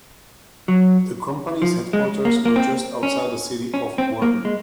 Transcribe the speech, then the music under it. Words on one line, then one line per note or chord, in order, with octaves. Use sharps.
The company's headquarters were just outside the city of Woerden.
F#3
F3
G#3
A#3
A#3
C4
C#4
C#4
C4
A#3
G#3